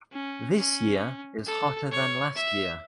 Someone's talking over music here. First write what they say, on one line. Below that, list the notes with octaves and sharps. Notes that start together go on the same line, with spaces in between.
This year is hotter than last year.
C#4
C#4
A4
C#5
E5